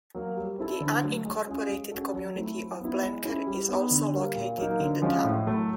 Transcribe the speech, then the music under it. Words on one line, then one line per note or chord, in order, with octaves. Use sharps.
The unincorporated community of Blenker is also located in the town.
F#3 A#3
G3
C4 E4 A4
D3
F#3 A3
G#3
C#4 F4 G#4
G#3
C#4 F#4 A4
F#3
A3 C4 E4
F#3
B3 E4
G#3
C#4 E4 G#4
G3
B3 D#4
D3
G3 A#3
A#2
F#3 A#3 D#4
D3
F3 G#3 C#4 F#4
A2
F#3 A3